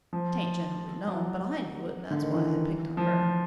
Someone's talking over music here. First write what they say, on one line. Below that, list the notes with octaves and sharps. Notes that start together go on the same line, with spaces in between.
'Tain't generally known, but I knew it and that's why I picked on her.
F3
F#3
D3
D#3
E3
F3